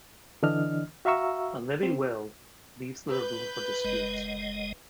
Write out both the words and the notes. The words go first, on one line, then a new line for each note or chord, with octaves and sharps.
A living will, leaves little room for dispute.
D3 E3 D4 D#5 F6
F#4 E5 F5 A#5 C#6 E6
C4
B4 G6
F#1 G#3 D#5